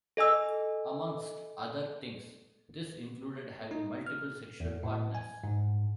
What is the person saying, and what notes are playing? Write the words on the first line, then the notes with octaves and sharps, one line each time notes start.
Amongst other things, this included having multiple sexual partners.
A4 D#5 G#5 E6
D#4
F6
E2
A2
G#5
G#2